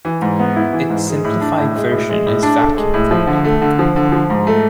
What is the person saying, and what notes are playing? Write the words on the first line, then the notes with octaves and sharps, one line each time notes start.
Its simplified version is vacuum forming.
E3
G#2
B3
E4
E3
G#2
G#3
A2
D4
A2
G#3
A2
G#3
A2
D4
A4
G#3
A2
F3
D3
A3
D3
F3
D3
F3
G#2
A3